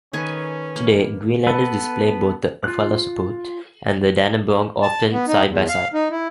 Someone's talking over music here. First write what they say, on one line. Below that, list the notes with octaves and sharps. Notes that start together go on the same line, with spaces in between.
Today, Greenlanders display both the "Erfalasorput" and the "Dannebrog"-often side-by-side.
D#3 B3 C#4 A4 B4 G#5 C#6
A#3
B3 A4 B4
F4 F#6
A5
B3
D#4
E2
F5
D#4
E4